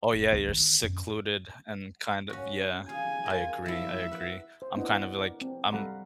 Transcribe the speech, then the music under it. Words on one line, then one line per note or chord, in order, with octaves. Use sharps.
Oh, yeah, you're secluded and kind of yeah. I agree, I agree. I'm kind of, like I'm
F1
D2
D#3
F#2
C#4 F#4
G#4 F5 G#5
F4 A#4
F3 E4 E5
B4 F#5
C5
B3 C4 D4 E4 D#5 F#5
F#5
A#4 D5
C4
G3 A4 F5 F#5 A#5 B5